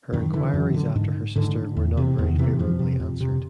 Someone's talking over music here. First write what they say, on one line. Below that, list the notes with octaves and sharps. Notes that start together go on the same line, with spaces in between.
Her inquiries after her sister were not very favourably answered.
F#2 D#3
D3 E3
F#2
D3
G#2
G#2 D3
E2
C3
E2 D#3
C3 E3
F2 F3
C3
F2
C3